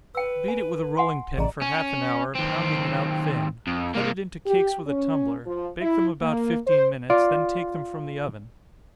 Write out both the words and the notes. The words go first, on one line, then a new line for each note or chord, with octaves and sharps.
Beat it with a rolling-pin for half an hour, pounding it out thin--cut it into cakes with a tumbler--bake them about fifteen minutes, then take them from the oven.
B4 G5 E6
G#5
F#5 G#5 C6
A1 G#4 D5 D#5 A#5
C#4
D#2 C4
F2
C3 A#3
G4
C#4
F3
E4
A#3
C5
F4 D5